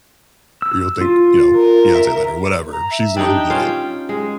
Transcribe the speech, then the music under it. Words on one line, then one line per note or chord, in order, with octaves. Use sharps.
or you'll thank, you know, Beyonce later, whatever. She's the one who did it.
E6
F4
A#4
E5
A#5
E5
D4 D#4 G4 G5
C#4 F4 C5
G#3